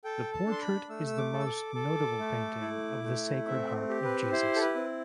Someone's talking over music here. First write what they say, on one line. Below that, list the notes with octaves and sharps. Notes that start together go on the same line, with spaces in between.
The portrait is the most notable painting of the Sacred Heart of Jesus.
A4 G5
A5
D4
C6
B5
A3 E6
E6
D6
A4
E6
D6
A4
A3
E4
A3
C4 E5
G4
B4
E4 C5
A4
B4
C4